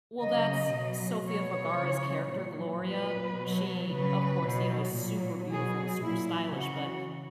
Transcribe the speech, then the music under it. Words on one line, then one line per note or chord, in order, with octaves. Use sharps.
Well, that's Sofia Vergara's character, Gloria. She, of course, you know, is super beautiful and super stylish, but
C#3 F#3 D#5
B2 F#3
B2 F#3 C#5
C#3 E3
A#2 F#3
A#2 F#3 B4
B2 F#3
C#3 F#3 B4
B2 F#3
A#2 F#3
B2 F#3 G#4
A#2 F#3 E4
C#3 E3 F#4